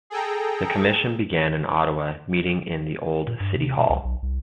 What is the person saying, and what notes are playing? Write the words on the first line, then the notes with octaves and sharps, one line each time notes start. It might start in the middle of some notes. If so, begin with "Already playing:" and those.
The Commission began in Ottawa, meeting in the Old City Hall.
G#4 A4 G5 A#5
A#2
G2
C3
B2
C#2
B1
C2